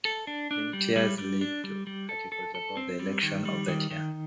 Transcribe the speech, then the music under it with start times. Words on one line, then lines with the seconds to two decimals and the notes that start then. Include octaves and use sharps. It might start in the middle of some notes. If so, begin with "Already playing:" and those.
Linked years lead to articles about the election of that year.
0.05 A4
0.27 D4
0.51 D4
0.73 G3
0.96 G3
1.18 G3
1.41 D4
1.64 G3
1.87 G3
2.09 A4
2.32 A4
2.55 A4
2.77 C4
3.00 G3
3.23 D#3
3.45 G3
3.68 D#3
3.90 D#3